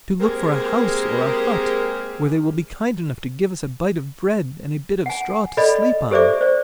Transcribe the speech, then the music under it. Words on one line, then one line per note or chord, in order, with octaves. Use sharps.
"To look for a house or a hut, where they will be kind enough to give us a bite of bread and a bit of straw to sleep on."
G#3 A#3 C4 G4 G#4 A#4
F#5 G#5
A4 D5 D#5 B5
G4 A4 C5 D5 E5 D6
C5 D5